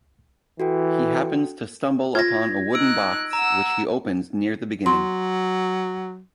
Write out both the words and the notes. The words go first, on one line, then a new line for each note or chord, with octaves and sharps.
He happens to stumble upon a wooden box, which he opens near the beginning.
E3 F#4 A4 G5
F4 G#6 A#6
D#4 E6 F#6 D7
F#5 A#5 E6
F#3 C6